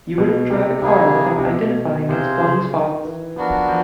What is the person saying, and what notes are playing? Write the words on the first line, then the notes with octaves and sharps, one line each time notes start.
You wouldn’t drive a car without identifying its blind spots.
B2
C3
C3 G3 A#3 D#4 G#4
C3
B2
C3 F4 G#4 C5
C#3
D#3
E3
F3 B3 D4 F#4 A#4
F3